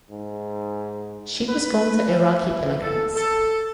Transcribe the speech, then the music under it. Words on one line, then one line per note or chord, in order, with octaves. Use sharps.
She was born to Iraqi immigrants.
G#2
B4
E3
A4
A4